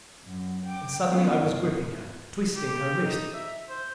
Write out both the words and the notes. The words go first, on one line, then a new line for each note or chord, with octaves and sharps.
And suddenly I was gripping her, twisting her wrist.
F#2
G5 D6
G3 A3 B3 C#4 F4
G2
G4
D#4
E5
C5